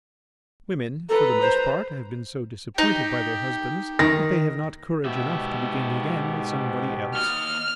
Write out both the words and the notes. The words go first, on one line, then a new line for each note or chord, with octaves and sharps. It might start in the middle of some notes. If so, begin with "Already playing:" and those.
Women, for the most part, have been so disappointed by their husbands that they have not courage enough to begin again with somebody else.
A4 B4 A#5
C5
D#4 G4
D#3 A#6
G#2 B2 B3 G4 E5
D#2 D#5 F6